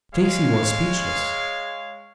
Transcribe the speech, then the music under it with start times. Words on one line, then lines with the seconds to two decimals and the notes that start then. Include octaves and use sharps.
Stacy was speechless.
0.14 G#3 C#5 F5